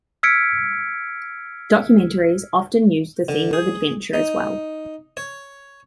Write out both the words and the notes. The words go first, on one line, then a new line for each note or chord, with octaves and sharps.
Documentaries often use the theme of adventure as well.
E6 F6 G#6 B6 C#7 D7
D3
G#4
D#4
C#5